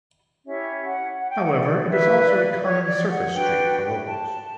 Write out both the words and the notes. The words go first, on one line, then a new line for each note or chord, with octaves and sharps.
However, it is also a common surface street for locals.
C#4 E4 G4 C#5 E5
F#5
F#5
G5
F#5
D5
E4 B4 E5
D5
C#5
D5
F#5
D4 F#4 B4 G5
A5